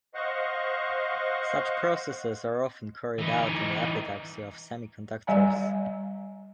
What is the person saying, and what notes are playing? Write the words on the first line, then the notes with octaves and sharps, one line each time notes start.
Such processes are often carried out in the epitaxy of semiconductors.
C5 D#5 F5 F#5 C#6
E3 D#4
G3 D5 F5 G#5 A#5